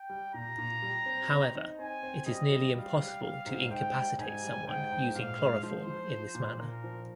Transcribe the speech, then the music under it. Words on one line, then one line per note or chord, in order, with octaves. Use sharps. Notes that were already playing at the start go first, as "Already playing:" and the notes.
However, it is nearly impossible to incapacitate someone using chloroform in this manner.
Already playing: G5
G3
A#2 A#5
A#2
G3
C4
C4
D#4
C4 G#5
C4
G3 D#5
G3
G3 F5
G3
G3 F5
G#2
G#2 G5
G3
G#2 G#5
G3
G#2 G5
G#2
A#2 F5
G#3
F3 C5
F3
F3
A#2
A#2 A#4
F3